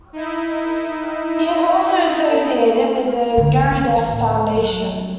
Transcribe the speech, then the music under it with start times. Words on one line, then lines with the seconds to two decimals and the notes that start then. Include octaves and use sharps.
He is also associated with the Gurdjieff Foundation.
0.13 D#4 E4
3.38 D3
3.71 D#3
4.08 D1
4.55 F#3